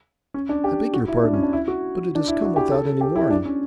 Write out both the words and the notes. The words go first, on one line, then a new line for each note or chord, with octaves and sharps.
'I beg your pardon, but it has come without any warning.
C#4
D4
G4
F#4
E4
D4
C#4
D4
E4
F#4
D4
E4
F#4
G4
A4
G4
E4
D4
C#4